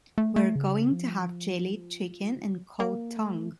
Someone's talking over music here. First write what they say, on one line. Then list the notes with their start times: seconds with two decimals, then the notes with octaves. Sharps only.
We’re going to have jellied chicken and cold tongue.
0.18 A3
0.36 A3
0.56 C#3
0.92 F3
2.42 F#3
2.80 A#3
3.17 A3